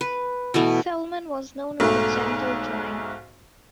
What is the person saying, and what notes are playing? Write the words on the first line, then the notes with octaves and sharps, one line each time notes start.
Selmon was known as The Gentle Giant.
B4
B2 E3 A3 B3
B1 G#2 A3